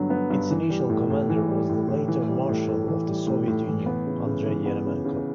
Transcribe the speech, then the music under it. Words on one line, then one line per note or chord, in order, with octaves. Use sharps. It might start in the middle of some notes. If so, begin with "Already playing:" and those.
Its initial commander was the later Marshal of the Soviet Union, Andrei Yeremenko.
Already playing: G2 D3 F#3 B3
B3
G2
E3
G3
A2
A2
E3
G3
A2
A2
E3
G3
A2
A2
E3
G3
A2
A2
E3
B3
C#3
C#3
E3
B3
C#3
C#3